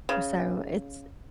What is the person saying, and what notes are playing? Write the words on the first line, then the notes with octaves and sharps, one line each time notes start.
So it's
C#3